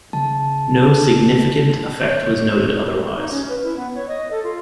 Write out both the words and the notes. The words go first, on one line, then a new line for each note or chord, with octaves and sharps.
No significant effect was noted otherwise.
C#3 A5
C#5 G6
A2
D#4
C#4
B4
E4
B3
C#5
D#5
A4
F4